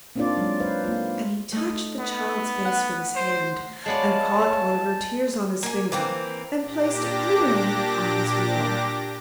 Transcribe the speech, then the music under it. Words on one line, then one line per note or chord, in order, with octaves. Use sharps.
And he touched the child's face with his hand, and caught one of her tears on his finger, and placed it, glittering, on his wheel.
A#3 C4 D4 D#4 F4 D5
F#3 G#3
B4 C5 F5
A#3 F4
A3 D#4
B3
F#5
C5
G#3 B3 C#5 D5 F5 A5
A#3 G#5
E3 A#3 C4
A#2 D4 G4 D6 A#6